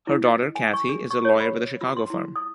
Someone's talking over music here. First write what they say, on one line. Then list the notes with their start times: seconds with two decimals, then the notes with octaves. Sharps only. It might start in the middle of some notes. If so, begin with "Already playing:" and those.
Her daughter, Kathy, is a lawyer with a Chicago firm.
0.07 E4
0.25 D#5
0.55 G#5
0.74 C#6
0.89 G#4
1.11 C#6
1.25 C#5
1.40 B5
1.81 F4
1.97 C6
2.10 E4
2.36 D#6